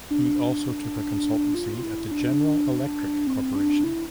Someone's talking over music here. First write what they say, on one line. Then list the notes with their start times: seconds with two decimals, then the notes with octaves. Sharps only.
He also took a consultancy at the General Electric Corporation.
0.10 D4
1.54 F4
1.83 E4
2.11 D4
3.27 C4
3.55 D4
3.84 E4